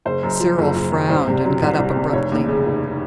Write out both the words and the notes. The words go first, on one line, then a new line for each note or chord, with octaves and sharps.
Cyril frowned, and got up abruptly.
F#1 C5
F#2
F3
F#1
F#1
F#2
C2 C5
C3
F#3
C2
C2
C3
F1 C#5
D#2
C#3
F1